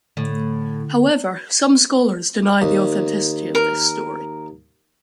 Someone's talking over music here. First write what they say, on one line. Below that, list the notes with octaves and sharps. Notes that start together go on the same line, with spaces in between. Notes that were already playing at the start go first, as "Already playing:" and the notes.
However, some scholars deny the authenticity of this story.
A2 D3
D#2
A#4